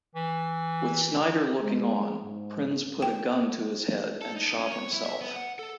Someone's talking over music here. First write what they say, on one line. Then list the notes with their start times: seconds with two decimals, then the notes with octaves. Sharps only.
With Snyder looking on, Prinze put a gun to his head and shot himself.
0.15 E3
1.60 G#3
2.23 G#2
3.02 G5
4.22 A4
4.36 D#4
4.59 C#4
4.72 C#5
4.93 E4
5.06 E5
5.21 B3
5.36 F#5
5.59 A4